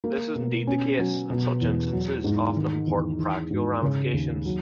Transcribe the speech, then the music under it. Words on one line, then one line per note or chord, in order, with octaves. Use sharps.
This is indeed the case, and such instances often have important practical ramifications.
A#3
B2
C#4
F#3
B2
E2
F#3
G#2
D#3
E2
E3
G#2
C#3
D#2
F#3